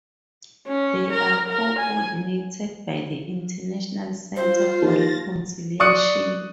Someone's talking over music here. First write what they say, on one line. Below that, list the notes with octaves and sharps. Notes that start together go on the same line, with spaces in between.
They are co-ordinated by the International Centre for Reconciliation.
C#4
A#4
A#4
G#5
F4 C5
D#2 A6 A#6
D5 C#6 D#6 F#6 C#7